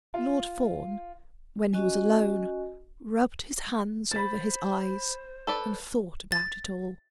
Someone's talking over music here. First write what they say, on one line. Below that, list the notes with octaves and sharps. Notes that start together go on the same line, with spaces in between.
Lord Fawn, when he was alone, rubbed his hands over his eyes and thought about it all.
F4
C#4 F#4 D#5 G#5
C5 B5 A6
A4 B4 D5
A6